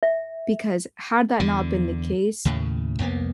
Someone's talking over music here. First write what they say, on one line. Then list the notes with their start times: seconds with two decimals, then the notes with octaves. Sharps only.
Because had that not been the case,
0.03 E5
1.40 E2 D3
2.45 D#2 A2 C#3
2.99 C2 F2 A#3 B3